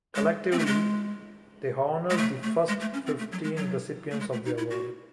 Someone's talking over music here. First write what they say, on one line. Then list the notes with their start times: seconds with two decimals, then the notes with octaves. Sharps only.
Collectively, they honor the first fifteen recipients of the award.
0.15 G#3
0.52 C4
0.59 A3
0.66 G#3
2.10 G#3
2.17 A3
2.43 A3
2.68 G#3
2.81 A3
2.94 C#4
3.06 C4
3.19 A3
3.32 F#3
3.44 G#3
3.57 F#3
4.11 A3
4.20 G#3
4.33 A3
4.45 D#4
4.58 E4
4.71 F#4